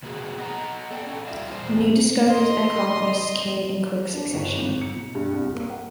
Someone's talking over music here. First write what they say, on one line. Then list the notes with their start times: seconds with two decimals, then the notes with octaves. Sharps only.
New discoveries and conquests came in quick succession.
0.03 C3 A#3 B3 F#4 G#4
0.38 B3 D#5 F#5 A#5
0.91 A4 B4 D5 G5
1.07 C#4 A4
1.27 G3 F4 D5 E5 F5
1.51 E2 A#2 G3 C5
2.29 D#5 C6
4.13 D4
4.34 G1
4.58 G#1
4.81 C#7
4.95 B2
5.15 G2
5.33 C2
5.54 A#3
5.70 F#5